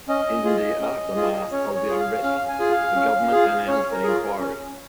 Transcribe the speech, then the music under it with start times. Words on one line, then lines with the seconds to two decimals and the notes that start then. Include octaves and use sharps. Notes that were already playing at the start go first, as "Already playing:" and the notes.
In the aftermath of the unrest the government announced an inquiry.
0.08 C#4 D#5
0.44 F4 G#4
0.80 C#4
1.16 F4 G#4
1.52 C#4 C#5
1.75 C#5
1.88 F4 G#4
1.99 F5
2.23 C#4 F5
2.48 G#5
2.60 F4 G#4
2.72 F5
2.96 C#4
3.32 F4 G#4
3.68 C#4 C#5
3.91 A#4
4.03 F4 G#4
4.40 C#4